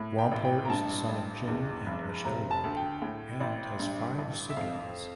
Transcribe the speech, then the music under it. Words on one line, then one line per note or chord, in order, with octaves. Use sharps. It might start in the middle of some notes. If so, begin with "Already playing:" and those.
Wampler is the son of Jim and Michelle Wampler and has five siblings.
Already playing: A2
G5
A1
G5
A#5
G2 A5
A1
E2
F1
C3 A#5
A5
D2
G5
A2
A1
G2
A1
E5
F2 F5